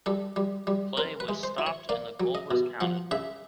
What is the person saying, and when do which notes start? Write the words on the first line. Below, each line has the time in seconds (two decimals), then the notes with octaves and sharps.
Play was stopped and the goal was counted.
0.06 G3 A4
0.36 G3
0.67 G3
0.97 C4 A#4
1.20 B4
1.29 G#3
1.43 C5
1.58 E4
1.67 C#5
1.89 A#3 D5
2.20 F#3
2.35 D#5
2.51 B2
2.80 F3 F#5
3.11 C#3 E5